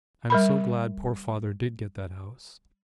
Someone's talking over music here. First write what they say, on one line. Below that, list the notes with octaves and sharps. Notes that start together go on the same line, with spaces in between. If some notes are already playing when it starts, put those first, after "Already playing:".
I am so glad poor father did get that house.
G3 A#4 B5